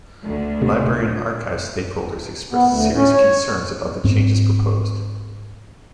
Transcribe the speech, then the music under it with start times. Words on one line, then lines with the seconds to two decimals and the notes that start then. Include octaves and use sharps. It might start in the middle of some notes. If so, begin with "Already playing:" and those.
Library and Archives stakeholders expressed serious concerns about the changes proposed.
0.24 D2 D3
0.62 C3
2.52 B3
2.67 D2
2.95 C#4
3.13 C#5
4.04 G#2 C4